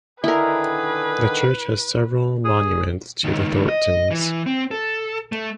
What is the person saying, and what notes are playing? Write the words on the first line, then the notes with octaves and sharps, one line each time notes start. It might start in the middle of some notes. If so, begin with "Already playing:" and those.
The church has several monuments to the Thorntons.
D3 D#3 E4 G#4 A#4 B4
G#4
C#2 D#3
D#5
E3
C4
A4
A3